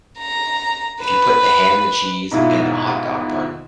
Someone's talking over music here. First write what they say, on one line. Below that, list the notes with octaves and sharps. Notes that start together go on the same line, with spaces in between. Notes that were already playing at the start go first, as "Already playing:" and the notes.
If you put the ham and the cheese in a hot dog bun
A#5
B4
G#2 B2 E4 F4